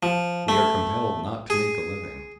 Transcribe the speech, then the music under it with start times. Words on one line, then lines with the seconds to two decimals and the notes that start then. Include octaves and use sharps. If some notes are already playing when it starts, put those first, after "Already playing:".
We are compelled not to make a living.
0.03 F3
0.48 A3
1.50 G#4